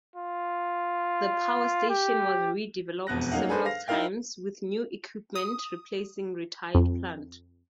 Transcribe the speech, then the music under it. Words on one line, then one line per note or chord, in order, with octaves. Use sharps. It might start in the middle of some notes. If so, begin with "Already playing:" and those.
The power station was redeveloped several times with new equipment replacing retired plant.
F4
G4
E1 F2 B3 F#6 A#6
F#3 A#3 C#4 D#4 F5 F#5
D4 G#4 A4 B4 C5
F5 A#6
D#4 E4 A#4 F5 G5
D#6
F2